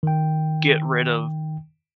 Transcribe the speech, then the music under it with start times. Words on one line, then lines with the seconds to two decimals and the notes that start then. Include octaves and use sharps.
get rid of
0.03 D#3 G5